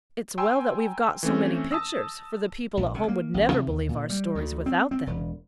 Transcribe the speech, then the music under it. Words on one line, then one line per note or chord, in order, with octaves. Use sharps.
"It's well that we've got so many pictures, for the people at home would never believe our stories without them."
G5 G#5 A#5 C6 E6
E3 A3 C4 C#4
A5 D#6 E6 A#6
A#1
C3
A#3
A1
C3
D#2
A#2
G3
D2
C4
C4
E1